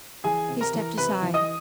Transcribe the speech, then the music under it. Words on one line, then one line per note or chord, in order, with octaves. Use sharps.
He stepped aside.
E3 G#4 G#5
C3
A#4 A#5
E3
C3 B4 B5
E3
D#5 D#6